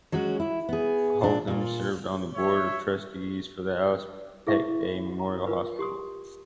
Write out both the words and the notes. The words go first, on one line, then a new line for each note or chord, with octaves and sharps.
Holcombe served on the board of trustees for the Alice Peck Day Memorial Hospital.
F#3 G#3 C#4 F#4
E4
B3 G#4
A#2 D4
A#2 F4
C#5 E5
E4 G#4 B4 E5 C#6
A#5
F4 A#4 B4
G4 C6 D#6